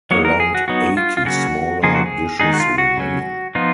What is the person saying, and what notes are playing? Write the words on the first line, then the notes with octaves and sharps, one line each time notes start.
Around eighty smaller dishes remain.
F#3 A#3 D#4 C#5
A#4
G#4
F#4
F#3 B3 D#4 F#4
F4
F4
C#3 F#3 A#3 C#4 F#4
C#3 F3 A#3 D#4 G#4
F#4
G#4
D#3 G#3 D#4 G#4
F#4
F4
F#4
C#3 F#3 C#4
F3 B3 D#4 F4